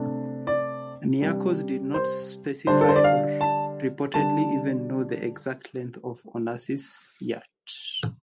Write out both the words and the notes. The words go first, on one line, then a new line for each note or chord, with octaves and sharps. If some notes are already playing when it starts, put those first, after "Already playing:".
Niarchos did not specify or reportedly even know the exact length of Onassis's yacht.
Already playing: C3 A3 D4
D5
C3 G3 D4
C5
D3 G3 D4 C5
A4
C5
D5
F5
A5
D3 G3 D4 A5